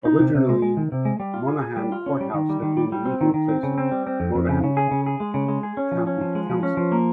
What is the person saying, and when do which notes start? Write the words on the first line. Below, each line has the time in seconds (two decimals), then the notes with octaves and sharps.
Originally Monaghan Courthouse had been the meeting place of Monaghan County Council.
0.05 D#4
0.20 C3
0.35 C3
0.49 G#3
0.62 G#3
0.77 D#3
0.92 C3
1.05 G#3
1.20 G3
1.34 F4
1.48 G#4
1.62 G#4
1.77 G3
1.92 F4
2.06 C#4
2.21 G3
2.34 D#3
2.49 G3
2.62 D#3
2.77 G3
2.92 G3
3.05 C4
3.21 D#3
3.34 D#3
3.49 C4
3.63 C#3
3.78 C4
3.91 G3
4.07 C4
4.20 F2
4.35 F2
4.49 C#3
4.64 C#3
4.77 G#4
4.91 C#3
5.06 G#4
5.20 G#3
5.34 C#3
5.48 G#3
5.63 G#4
5.77 C#4
5.92 F3
6.07 C#4
6.21 F3
6.35 G#3
6.50 F3
6.63 C#4
6.77 F3
6.92 A#3